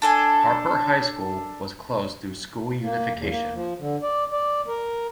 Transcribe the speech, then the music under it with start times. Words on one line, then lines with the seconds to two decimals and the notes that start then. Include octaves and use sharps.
Harper High School was closed through school unification.
0.02 D4 A4 G#5
2.83 A#3
3.15 E2
3.30 A#3
3.54 F3
3.80 D3
4.03 D5
4.32 D5
4.68 A#4